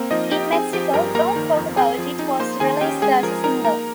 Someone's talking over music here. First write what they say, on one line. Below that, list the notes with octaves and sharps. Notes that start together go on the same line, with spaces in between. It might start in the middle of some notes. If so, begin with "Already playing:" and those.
In Mexico, "Don't Talk About It" was released as a single.
Already playing: A#3 C4 A#4
F3 D#4 D#5
D#4 G4 G5
C4 G#4 G#5
F3 G4 G5
G2 A#4 A#5
A#3 A#4 A#5
D#3
F2
C4 G#4 G#5
F3
D#4
A#3 C5 C6
D#3 G#4 G#5
C#4 G4 G5
G#3 G#4 G#5
F3 A#4 A#5
D#4 A#4 A#5
A#3 A#4 A#5